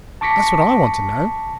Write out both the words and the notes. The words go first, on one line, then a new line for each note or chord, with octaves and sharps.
That's what I want to know.
A5 C#6 D6 A#6 B6 C#7